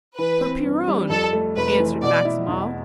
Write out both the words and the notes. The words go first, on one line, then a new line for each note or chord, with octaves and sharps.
"For Piron!" answered Maximov.
E3 B4
C4
G2
G3
F2 A4
A3
F1 B4
E3
B2 D5
E4
E2